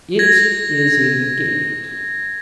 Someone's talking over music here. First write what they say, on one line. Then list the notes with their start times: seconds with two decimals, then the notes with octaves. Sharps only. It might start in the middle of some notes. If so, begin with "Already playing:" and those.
It is a gift....
0.19 G#6 A#6